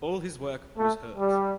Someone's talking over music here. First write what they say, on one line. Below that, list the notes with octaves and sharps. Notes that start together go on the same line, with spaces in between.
All his work was hers.
A3
G3